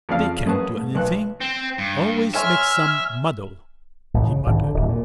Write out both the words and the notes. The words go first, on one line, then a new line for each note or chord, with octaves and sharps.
"They can't do anything... always make some muddle," he muttered.
F2 C#3 F3 D5 F5 F6
F#2 C#4 G#4 B4 A5 D#6
G#2
B1 F#6
C4
G2
C#5 E5 G#5 C6 F6
A1
C#3
G#1
D3
D1
A#2